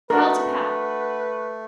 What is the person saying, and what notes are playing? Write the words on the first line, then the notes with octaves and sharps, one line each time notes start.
Pal to pal.
A3 D4 F#4 A#4 B4